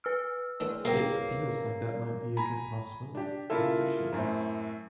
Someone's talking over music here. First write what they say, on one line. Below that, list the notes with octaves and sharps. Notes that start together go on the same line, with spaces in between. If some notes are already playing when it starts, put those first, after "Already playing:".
it feels like that might be a good possibility. I appreciate this.
B4 E6 F6
E3 F#3 G#3 A3 C4 D4
A#2 C#3 E3 F#3 A#3 C4 G5
G#5
G#5 A#5 B5
D4 G4
C#3 A#3 E4 F4 A4
F#2 A2 C4